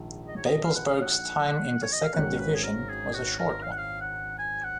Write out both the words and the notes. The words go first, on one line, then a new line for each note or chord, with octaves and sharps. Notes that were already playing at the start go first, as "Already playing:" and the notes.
"Babelsberg's" time in the second division was a short one.
Already playing: A#1 G#2 D#3 F4
D#5
C#5
D#5
F5
F#5
F5
F#5
C#5
D#5
F5
G#1 G#2 D#3 F#3 C#4 F#5
B4
G#4
A#4
G#4
F#4
A#4
F5
F#5
F5
F#5
G#5
F#5